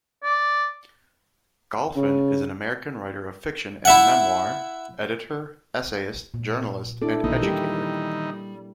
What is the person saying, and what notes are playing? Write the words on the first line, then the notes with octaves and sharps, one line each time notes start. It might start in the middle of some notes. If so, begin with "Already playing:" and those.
Golphin is an American writer of fiction and memoir, editor, essayist, journalist and educator.
D5
C#3
E4 E5 F#5
A#2
D4 E4 A4 D5
A#1 B2 D#3 E3 A#3 D#4
G3 G4